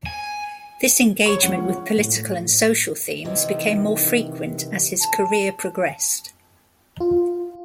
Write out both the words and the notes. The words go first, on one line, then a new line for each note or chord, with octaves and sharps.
This engagement with political and social themes became more frequent as his career progressed.
G#5
C#5 C#6
F3 G#3 C#4 F#5
F4
A2
C3 D#3 E3
A5
F4